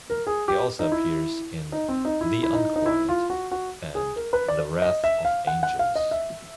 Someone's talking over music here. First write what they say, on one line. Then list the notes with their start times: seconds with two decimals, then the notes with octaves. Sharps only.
He also appears in "The Unquiet" and "The Wrath of Angels".
0.10 A#4
0.27 G#4
0.48 G4
0.79 D#4
0.92 E4
1.72 D#4
1.89 C4
2.05 D#4
2.21 E4
2.43 E4
2.53 D#4
2.76 D#4
2.86 E4
3.09 F4
3.30 F#4
3.51 F#4
3.95 G#4
4.16 A#4
4.33 B4
4.48 D5
4.82 D#5
5.04 E5
5.25 F5
5.47 F#5
5.63 F#5
5.79 F5
5.96 D#5
6.11 E5